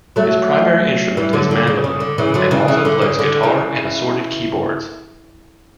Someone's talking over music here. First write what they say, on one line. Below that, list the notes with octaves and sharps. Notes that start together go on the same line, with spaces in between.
His primary instrument is mandolin, and also plays guitar and assorted keyboards.
F#3 A3
E3 G3
D3 F#3
D3
C#3
C#3
D3
C#3 E3
D3 F#3
C#3 E3
C#3 E3
D3
C#3
D3
C#3 E3